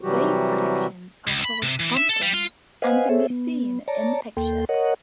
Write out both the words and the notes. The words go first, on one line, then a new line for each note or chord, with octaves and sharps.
These projections are called "bumkins" and can be seen in the picture.
C3 E3 F#3 G3 F#4 G4
C#2
B5
C3
E3
E5
A4
G3
F4
B4 C5 D#5 F5 F#5 G#5
G#4 A4 C5 C#5 E5
B3
C#5 D5 A5 A#5
D#2 A#3 A4 G5 C6
A#4 C#5 D#5 F#5